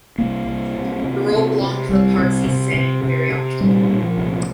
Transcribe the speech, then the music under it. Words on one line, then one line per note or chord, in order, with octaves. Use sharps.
The role belonged to the parts he sang very often.
C2 A#3
C2
C3
C3
C3
C3
C2 G3
C3
C3
C3
C3
C3
A#2 G3
A#2
F3
C2